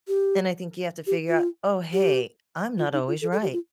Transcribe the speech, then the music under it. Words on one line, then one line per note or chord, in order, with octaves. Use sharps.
And I think you have to figure out, "Oh, hey, I'm not always right."
G4
G4
F4
G4
F4
D#4
F4
A4
A4
G4
F4